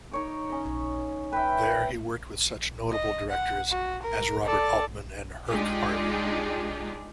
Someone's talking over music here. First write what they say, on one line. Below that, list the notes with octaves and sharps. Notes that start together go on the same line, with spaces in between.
There, he worked with such notable directors as Robert Altman and Herk Harvey.
D#4 C#5 D6
C#4 D#5
B4 E5 G5
D#5
F#5
F#4
A#4
A4 D5
G#3 D4 D#4 F4 G4 G#4